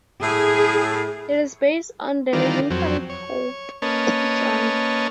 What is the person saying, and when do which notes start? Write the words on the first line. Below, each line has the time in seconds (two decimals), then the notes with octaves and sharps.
It is based on the legendary Pope Joan.
0.22 A2 G#4
2.33 D#3 E3 G3 F4 A#4 D5
2.70 F2 F#3 C4
3.10 C#5
3.82 A#3 C#4 B4 C#5 D#5 A5